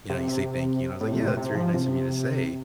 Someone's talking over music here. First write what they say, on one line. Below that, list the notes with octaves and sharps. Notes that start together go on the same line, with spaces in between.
you know, you say thank you. And I was like, "Yeah, that's very nice of you to say."
C3
C3
A2
C3
A2
C3
C3
F3
C3